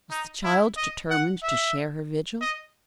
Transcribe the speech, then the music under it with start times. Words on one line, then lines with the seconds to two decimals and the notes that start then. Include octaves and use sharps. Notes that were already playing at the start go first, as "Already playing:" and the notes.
Was the child determined to share her vigil?
0.11 D#4
0.44 E4
0.77 D#5
1.10 F#5
1.43 E5
2.41 D#5